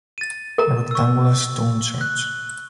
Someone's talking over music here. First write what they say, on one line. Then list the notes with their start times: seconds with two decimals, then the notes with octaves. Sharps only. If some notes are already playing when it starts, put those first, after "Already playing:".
A rectangular stone church.
0.18 A6 D#7
0.58 A#4 A#5
0.91 C#6 E6
2.01 F#6